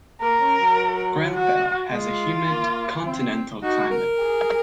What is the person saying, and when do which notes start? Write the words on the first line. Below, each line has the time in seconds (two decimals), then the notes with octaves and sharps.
Grenfell has a humid continental climate.
0.21 A#3 A#4
0.40 C#4
0.58 F#3
1.34 F#4
1.91 G#3 F4
2.49 A#3
3.06 C4
3.63 D#4 F#4
3.91 A#4
4.20 G#4